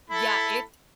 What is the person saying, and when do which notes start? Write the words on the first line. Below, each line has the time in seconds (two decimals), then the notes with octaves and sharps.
Yeah, it
0.10 E4 A4 B5